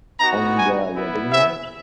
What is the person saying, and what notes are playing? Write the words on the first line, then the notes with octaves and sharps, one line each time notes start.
On their wedding night?
B3 D#4 F#4 A#5
G#5
B3 E4
E5